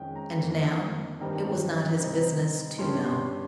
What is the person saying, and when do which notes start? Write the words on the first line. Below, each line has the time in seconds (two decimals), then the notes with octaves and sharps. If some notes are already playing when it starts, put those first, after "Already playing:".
And now it was not his business to know.
Already playing: F2 D#3 G#3 C#4 G5
0.16 A#5
0.42 F2 D#3 A#3
1.20 G2 D#3 G3 C4 D#4 A#5
2.00 C3 G3 C4 D#4
2.79 G2 G3 C#4 C6
3.05 C6